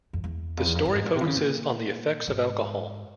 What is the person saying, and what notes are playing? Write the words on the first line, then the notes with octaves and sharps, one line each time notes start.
The story focuses on the effects of alcohol.
F2
E2
F2
E2
F2
G2
G#2
A#2
C3
E3
C#3
A#2
G#2